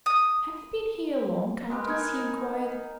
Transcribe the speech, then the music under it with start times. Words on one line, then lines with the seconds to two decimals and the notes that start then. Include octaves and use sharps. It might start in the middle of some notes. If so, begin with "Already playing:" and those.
"Have you been here long, Countess?" he inquired.
0.06 D#6
1.70 G#3 G4 A#4 B4
1.87 D#4 A#4 G#5